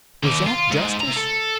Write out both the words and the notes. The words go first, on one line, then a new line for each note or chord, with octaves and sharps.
Was that justice?
D#2 A#3
F4
G#2
C3 A#5
A4